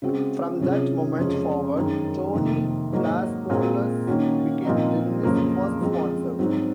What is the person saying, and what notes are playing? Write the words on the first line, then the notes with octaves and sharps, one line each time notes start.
From that moment forward, Tony Vlassopulos became Dennis' first sponsor.
C#3 G#3 C4 F#4
C3 F#3 C#4 F4 G#4
F2 C#3 G#3 C#4 G#4
F#2 D#3 G#3 C#4
F2 C3 D#3 A#3
G#2 F#3 A#3 D#4 F#4
A#2 G#3 C4
D#3 A#3 C#4 F#4
A#2 F3 C4 D#4
F2 C#3 F#3 A#3
F3 G#3 C4
G#2 F#3 C4 F#4